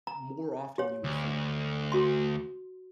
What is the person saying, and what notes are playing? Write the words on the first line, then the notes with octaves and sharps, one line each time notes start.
more often than you would think.
A#5
G4 C#5
D2
F#4 C6